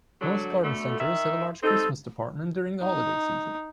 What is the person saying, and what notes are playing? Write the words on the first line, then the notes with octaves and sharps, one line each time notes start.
Most garden centers have a large Christmas department during the holiday season.
D3 F#3
B2 D3 A3
D#3 E5
G3 C4 D#4 A4
D#4